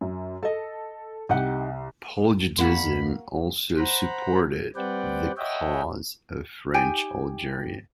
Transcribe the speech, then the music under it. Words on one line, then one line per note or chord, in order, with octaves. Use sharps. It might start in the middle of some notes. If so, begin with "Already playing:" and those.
Poujadism also supported the cause of French Algeria.
F#2
A4 D#5 A5
C2 D#4 G4 F#5
F2 A#3 F#4 B5
C5 F#5 A#5 B5
G3 C4 B4 D5 F#5 G5
C#5 D#5 E5 F#5 G5
D#4 G4 G5 G#5